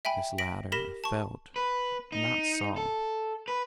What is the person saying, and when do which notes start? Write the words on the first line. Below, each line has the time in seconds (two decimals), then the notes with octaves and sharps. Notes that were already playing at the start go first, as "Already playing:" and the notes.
This latter I felt--not saw.
0.05 E5 G5 G#5 B5
0.38 A#6 B6 D7 F#7
0.72 G4 A#4 B5 A#6 B6 E7
1.04 A5 C#6
1.56 B4
2.12 D#4
2.76 A4
3.48 B4